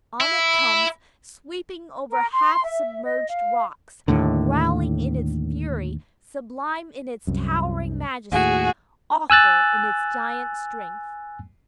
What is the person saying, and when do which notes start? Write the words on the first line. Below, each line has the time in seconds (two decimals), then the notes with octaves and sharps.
On it comes, sweeping over half-submerged rocks, growling in its fury, sublime in its towering majesty, awful in its giant's strength.
0.21 E4
2.09 A#4
2.33 C6
2.64 E5
3.03 D#5
3.29 F5
4.08 D#2 A2 D3
7.27 C2 F#2
8.32 D#2 A2 F#4 G#4
9.30 G#5 E6 F#6 A6